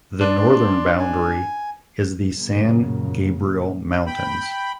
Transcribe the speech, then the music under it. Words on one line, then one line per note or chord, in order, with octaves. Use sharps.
The northern boundary is the San Gabriel Mountains.
D4 D5 C6
G#5
F#2 A#2 C#3 F#3 A#3
G5 B5